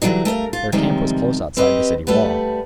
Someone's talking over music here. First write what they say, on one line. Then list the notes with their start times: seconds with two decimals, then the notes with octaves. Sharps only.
Their camp was close outside the city wall.
0.02 D3 E3 F#3 G3 D#4
0.25 A3 A#4 E5 F5
0.53 F4
0.72 C3 D#3 F3 G3 G#3 C4
1.57 C4 G4 B4 D#5
2.07 G3 A3 B4 F#5